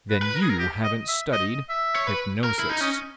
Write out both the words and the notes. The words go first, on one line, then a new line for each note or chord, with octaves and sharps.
Then you haven't studied hypnosis.
B4
B4
A#4
G#4
A#4
G4
D#5
E5
D#5
E5
C#5
B4
A#4
E4
D#4
C#4 D#5